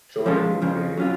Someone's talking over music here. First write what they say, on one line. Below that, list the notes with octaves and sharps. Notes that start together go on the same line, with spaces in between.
Joy, beauty baby.
F3 G#3 C#4 F4
F2 C#3 F3
F#3 C#4 F4